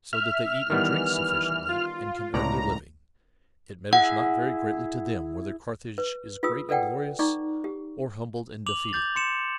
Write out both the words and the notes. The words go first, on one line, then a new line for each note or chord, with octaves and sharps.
So that they eat and drink sufficiently, and can earn their living, it matters not very greatly to them whether Carthage is great and glorious, or humbled and defeated.
E5 F6
D#3 E3 G3 B3
F4
C#2 A2 D5 A#5
E4 G#4 E5 F#5
B4
F4 G#4 B4 D#6 E6
A4 B4 D5 F#5 G5
D#4 D5 A#5 C#6 D6
G4
D6 F7 F#7
D6 G6 A6
C6 C#7 E7